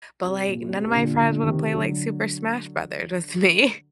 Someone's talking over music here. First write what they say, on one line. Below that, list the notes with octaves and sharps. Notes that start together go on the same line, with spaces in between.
but, like, none of my friends wanna play, like, Super Smash Brothers with me.
C3
A#2
C3
C3
A#2 D3
A#2 D3
C3 D#3
D3 F#3